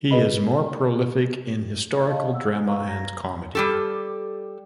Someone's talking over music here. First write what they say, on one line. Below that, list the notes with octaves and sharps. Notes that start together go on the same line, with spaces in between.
He is more prolific in historical drama and comedy.
G#4 B4 D#5 B5
D#5 F5 A5
F#5 E6
B4 F5 A#5 C#6 E6
A#5 G#6 A#6
G3 G4 A4